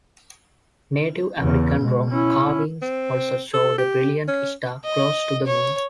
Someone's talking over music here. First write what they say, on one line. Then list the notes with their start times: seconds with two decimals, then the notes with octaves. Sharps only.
Native-American rock carvings also show the brilliant star close to the Moon.
1.39 E2 C#3
1.80 B2 G#3
2.10 C#4 E4
2.82 C4
3.53 A4
3.78 G4
4.28 C#4
4.84 D#5
5.47 C#5